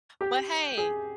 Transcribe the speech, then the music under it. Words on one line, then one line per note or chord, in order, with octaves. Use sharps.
But hey,
G4
G#4